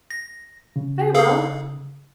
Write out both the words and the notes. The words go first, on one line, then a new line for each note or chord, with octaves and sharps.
'Very well.
A#6
C#3
G#4 A4 F5